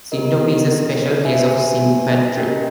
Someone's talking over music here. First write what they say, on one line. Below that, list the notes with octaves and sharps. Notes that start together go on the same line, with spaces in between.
Syntopy is a special case of sympatry.
B3 G4 A#4 D#5
G4 B4 E5 G#5
C#4 G4 A#4 D#5 G5